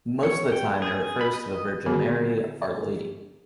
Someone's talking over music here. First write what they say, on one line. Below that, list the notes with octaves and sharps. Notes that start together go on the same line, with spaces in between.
Most of the time it refers to the Virgin Mary, Our Lady.
C#5
G5
G#4
B5
D#5
D3 D#3 G#3 B3 F#4 G#4